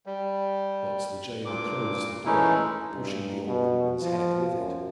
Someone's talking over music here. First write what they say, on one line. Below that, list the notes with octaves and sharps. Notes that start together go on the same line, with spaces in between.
But the jailer closed the door, pushing the old woman's head with it.
G3
G2 A#2 D6
E3 G#3 A3 C#4 D#4 E4
G2
B2
F3
F#2